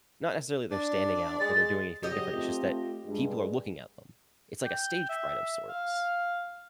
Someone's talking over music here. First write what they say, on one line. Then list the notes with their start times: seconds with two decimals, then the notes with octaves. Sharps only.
not necessarily they're standing out or they're doing anything different, it's just that people are looking at them, it's like a stage fright of sorts
0.71 D4
1.40 G#3 A6
2.03 C#3 F#3 F#4 G4 D#5
2.33 A3 C4 F4
3.06 G2 G#3
4.65 G5
5.09 E5
5.69 F5